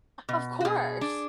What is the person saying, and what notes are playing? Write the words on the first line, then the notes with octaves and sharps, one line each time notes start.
Of course.
B2
F#4
B2 G#4
D4